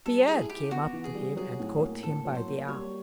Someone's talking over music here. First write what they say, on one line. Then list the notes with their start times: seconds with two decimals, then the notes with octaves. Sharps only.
Pierre came up to him and caught him by the arm.
0.06 G3 A4
0.27 E4 G#4
0.49 E4 G4
0.71 B3 F#4
0.93 E3
1.04 G#4
1.15 G3
1.37 F#3 G#4
1.59 A2
1.80 A#3
2.03 A2 A4
2.25 F#3
2.35 C5
2.47 A#3
2.68 G3 C#5